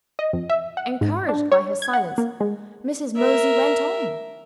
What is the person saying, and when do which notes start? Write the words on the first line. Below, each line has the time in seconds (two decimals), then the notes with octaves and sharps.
Encouraged by her silence, Mrs. Mosey went on.
0.19 D#5
0.33 F2
0.50 E5
0.77 F#5
1.01 G#2
1.29 D4
1.52 C#5
1.82 G#6
1.93 F#5
2.18 A#3
2.40 G#3
3.16 A#4 E5